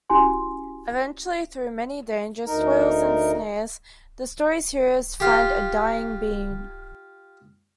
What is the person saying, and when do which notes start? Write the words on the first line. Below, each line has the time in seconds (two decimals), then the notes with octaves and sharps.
Eventually, through many dangers, toils, and snares, the story's heroes find a dying Bean.
0.10 C#4 E4 F#4 G4 G#5 C6
2.46 D2 D#4 A#4
5.20 F4 G4